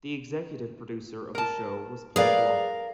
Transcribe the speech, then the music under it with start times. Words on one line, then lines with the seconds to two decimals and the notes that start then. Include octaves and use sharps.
The executive producer of the show was Paul Block.
1.35 A#4 A5
2.16 G#4 A#4 B4 D5 F5